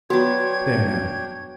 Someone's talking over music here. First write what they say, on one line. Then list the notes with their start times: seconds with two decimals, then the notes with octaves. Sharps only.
There, now.
0.10 F#3 B3 D4 F#4 C#5 G5 G#6